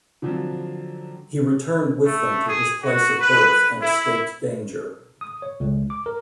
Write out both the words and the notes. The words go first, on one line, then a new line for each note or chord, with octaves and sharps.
He returned with them to his place of birth and escaped danger.
D3 F3 F#3 C4
A3
G#4
F#4
B4
E4
D#6
C#5
C#2
D6
A#4